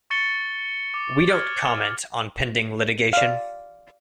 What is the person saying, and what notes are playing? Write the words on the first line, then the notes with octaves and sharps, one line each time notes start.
We don’t comment on pending litigation.
C#6 A6 C#7 G7
D6
F6 G#6 F#7
D5 F5